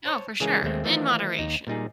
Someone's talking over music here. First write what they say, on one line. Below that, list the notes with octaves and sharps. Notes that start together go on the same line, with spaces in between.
Oh, for sure, in moderation.
C5 C#5 A5
C#3 E3 G#3 C#4 G#4 A#4
D#2 D#3 G#3 A3 C4
D#3 E3 A3 C4 D#4 F4
D#2 D#4
A#2 G3 D#4 G#4